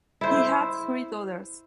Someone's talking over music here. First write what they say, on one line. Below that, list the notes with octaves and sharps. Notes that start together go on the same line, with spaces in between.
He had three daughters.
E4 C5